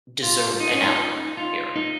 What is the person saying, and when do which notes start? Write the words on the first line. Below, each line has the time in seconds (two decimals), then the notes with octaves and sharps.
deserve an hour, here
0.23 F4
0.60 D#4
0.73 C#4
0.81 F4
0.86 D#4
1.37 F4
1.76 D#4